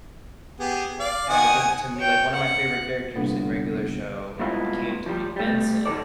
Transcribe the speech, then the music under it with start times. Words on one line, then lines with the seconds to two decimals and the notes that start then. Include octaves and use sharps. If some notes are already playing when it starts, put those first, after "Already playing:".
And I think to me like, one of my favorite characters in Regular Show became to be Benson,
0.60 B3 G4 G#4
0.99 D5 F5
1.29 D#3 F#5 G#5 D#6
1.97 C#5 G5
2.33 F#5
3.16 C2 G2 A#2 D3 B3
4.39 C2 F#3 G#3 B3 E4 F4
5.06 F3 G3
5.36 G3 A3
5.85 D#3 F#3 C4 A4 D5